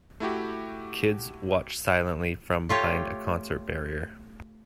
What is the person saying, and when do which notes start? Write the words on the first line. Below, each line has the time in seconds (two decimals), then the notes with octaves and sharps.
Kids watch silently from behind a concert barrier.
0.20 A3 E4 F#4 G4
2.69 A3 F4 G4 C#5